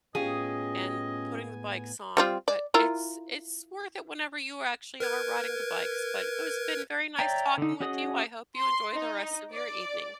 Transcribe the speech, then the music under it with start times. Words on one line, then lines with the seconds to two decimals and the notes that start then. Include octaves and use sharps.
and putting the bikes on, but it's it's worth it whenever you actually are riding the bikes, but it has been very nice talking with you, I hope you enjoy the rest of your evening.
0.15 A2 B3 C#4 F4 G4 G#4 D#5 G#5
2.17 G3 C4 F4
2.48 D5
2.74 E4 F4 A#4
5.00 A#4 B4 G#6
7.19 C#5 D5 E5 G5 A#5
7.58 D3 D#4
7.80 C#4 F#4 G#4 D#5 D#6
8.57 C6
8.94 D#4
9.53 D5